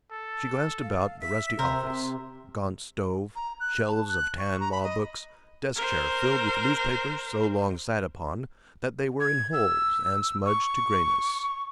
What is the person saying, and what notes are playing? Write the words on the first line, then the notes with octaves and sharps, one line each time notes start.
She glanced about the rusty office--gaunt stove, shelves of tan law-books, desk-chair filled with newspapers so long sat upon that they were in holes and smudged to grayness.
A4
F5
E5 B6
C3 A#4 C5 C6
A#5
F#6
A5
F#6
C#6
A#5
B5
D#5
A#4 C5
G#6
E6
C#6